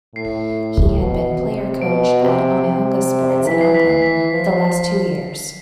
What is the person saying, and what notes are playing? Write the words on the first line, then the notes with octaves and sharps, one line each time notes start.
He had been player-coach at Onehunga Sports in Auckland for the last two years.
A2 C7
B2
C3
B2 D7
C3
C3
E3 B6
C7
B6
C7
B6
C7
F3 B6
C7
B6